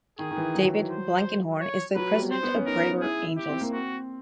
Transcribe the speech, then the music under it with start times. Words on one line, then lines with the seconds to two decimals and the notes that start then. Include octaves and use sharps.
David Blankenhorn is the president of Braver Angels.
0.19 D#3 G#4
0.30 D#3
0.36 E3
0.55 F#3
0.90 C5
1.61 C#5
1.95 F#3 B4
2.14 G3
2.31 C5
2.43 B3
2.55 C#4
2.66 D#4 A#4
3.02 E4 G#4
3.37 G4
3.49 C4
3.61 A#3
3.72 C4 F#4